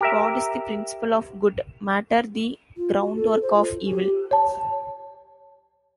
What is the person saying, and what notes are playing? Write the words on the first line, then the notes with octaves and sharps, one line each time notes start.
God is the principle of good, Matter the groundwork of Evil.
G4 A#4 E5
F4
F#4
A4
C5
F4
G4
C#5 A5